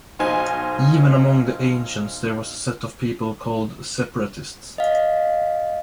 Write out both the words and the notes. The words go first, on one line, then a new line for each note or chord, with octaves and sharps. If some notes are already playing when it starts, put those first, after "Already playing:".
Even among the ancients there was a set of people called separatists.
B1 D#4 C5 G#5
D#5 F5